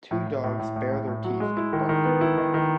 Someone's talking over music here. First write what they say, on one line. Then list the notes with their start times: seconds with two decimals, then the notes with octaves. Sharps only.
Two dogs bare their teeth and bark.
0.11 A2
0.27 A2
0.44 A2
0.59 A2
0.76 A2
0.92 A2
1.08 A2
1.24 F#3
1.40 G#3
1.57 E4
1.73 D#3
1.89 D#3
2.05 B3
2.21 E4
2.38 D#3
2.54 D#3